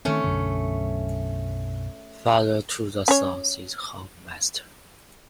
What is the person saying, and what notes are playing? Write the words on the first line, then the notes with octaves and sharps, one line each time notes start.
Farther to the south is Hoffmeister.
D#3 A3 C4 C#4
B1 F#2 D3
C#4 C#5